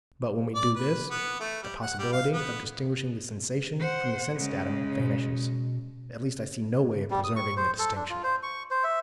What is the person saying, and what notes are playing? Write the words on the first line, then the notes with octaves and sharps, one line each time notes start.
But when we do this, the possibility of distinguishing the sensation from the sense-datum vanishes; at least I see no way of preserving the distinction.
D5
B4
B3
A3
G3
F#5
G3
F5
B3
C5 F#5
C#3 G#3
B2
G3
D#6
C#6
C5
A4
D4
F4
C5
C#6
C5
E5